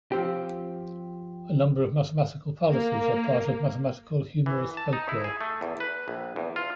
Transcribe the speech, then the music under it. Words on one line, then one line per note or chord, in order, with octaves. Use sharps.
A number of mathematical fallacies are part of mathematical humorous folklore.
F3 C4 G4
A#3
E3
A5
D#4
E4
G#4
A3
E2
B4
A#1
E2
F4